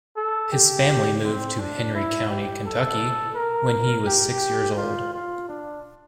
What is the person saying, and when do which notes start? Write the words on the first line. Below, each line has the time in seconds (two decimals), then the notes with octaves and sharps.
His family moved to Henry County, Kentucky, when he was six years old.
0.17 A4
0.52 G4
1.24 C4
1.59 D4
1.95 E4
2.30 G4
2.66 A4
3.35 A#4
4.07 G4
4.77 F4
5.14 F4
5.49 D4